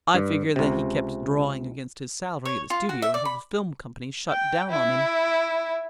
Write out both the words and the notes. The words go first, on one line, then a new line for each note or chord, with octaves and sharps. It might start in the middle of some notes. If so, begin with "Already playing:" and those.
I figure that he kept drawing against his salary at the studio until the film company shut down on him.
G2
C#2 C3
C#5
F4
F#4
E5
D5
B5
G5
E4